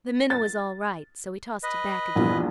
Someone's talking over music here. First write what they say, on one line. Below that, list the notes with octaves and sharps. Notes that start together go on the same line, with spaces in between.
The minnow was all right, so he tossed it back again.
A6
B4 D#5
A#1 E2 G2